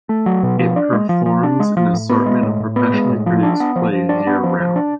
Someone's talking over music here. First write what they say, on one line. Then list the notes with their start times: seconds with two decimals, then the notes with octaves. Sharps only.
It performs an assortment of professionally produced plays year-round.
0.09 A3
0.26 F#3
0.43 B2
0.59 F3
0.76 D4
0.92 G#3
1.09 F3
1.26 F3
1.43 D4
1.60 G#3
1.77 F3
1.93 A2
2.09 B3
2.26 G#3
2.43 A2
2.60 A2
2.76 B3
2.93 G#3
3.10 A2
3.26 F3
3.43 D4
3.60 B3
3.76 F3
3.92 F3
4.09 D4
4.27 B3
4.44 F3
4.60 F3
4.76 D4